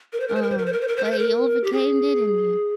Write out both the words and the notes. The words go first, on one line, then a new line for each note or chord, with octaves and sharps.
um, but you overcame, didn't you?
A#4
C5
A#4
C5
A#4
C5
A#4
C5
A#4
C5
A#4
C5
A#4
C5
A#4
G4
G#4